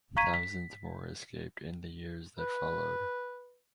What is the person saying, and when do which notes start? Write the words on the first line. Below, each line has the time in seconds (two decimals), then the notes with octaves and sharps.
Thousands more escaped in the years that followed.
0.16 F5 A#5 C#6 G#6 B6 D#7
0.34 B6
2.39 B4